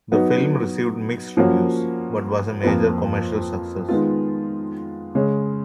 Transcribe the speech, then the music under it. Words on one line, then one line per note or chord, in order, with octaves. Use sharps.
The film received mixed reviews, but was a major commercial success.
F#3 B3 D#4 F#4
F3 A#3 C#4 F#4
F2 F3 A#3 F4 B4
D#3 G#3 B3 F4
C#3 G#3 C#4